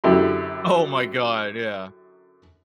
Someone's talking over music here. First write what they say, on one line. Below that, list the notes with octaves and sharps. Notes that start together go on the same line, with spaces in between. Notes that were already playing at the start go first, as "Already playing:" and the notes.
Oh my god. Yeah.
F#2 D3 E4 G4 C6